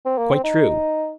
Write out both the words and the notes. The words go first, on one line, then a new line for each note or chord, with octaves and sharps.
Quite true.
C4
A#3
C4
D#4